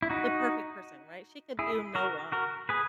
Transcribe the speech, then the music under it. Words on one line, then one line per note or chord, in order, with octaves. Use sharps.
the perfect person, right? She could do no wrong.
E4
D#4 F#4
E4 G#4
F#4 A#4
F#4 A#4
G#4 B4